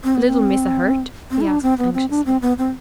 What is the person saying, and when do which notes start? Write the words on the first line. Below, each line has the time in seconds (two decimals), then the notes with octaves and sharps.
"Little Missa hurt?" he asked anxiously.
0.04 C4
0.15 B3
0.28 C4
1.31 C4
1.41 E4
1.47 D4
1.63 C4
1.79 B3
1.94 C4
2.10 D4
2.26 C4
2.42 B3
2.58 C4